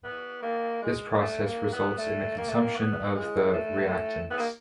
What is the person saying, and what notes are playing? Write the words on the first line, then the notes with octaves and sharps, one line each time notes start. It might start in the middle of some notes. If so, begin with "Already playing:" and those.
This process results in the consumption of the reactants.
B3
A#3
G#3
G#3
A3
A#3
B3
A3
A#3
A3
A#3
B3
G#3
A3
B3
A#3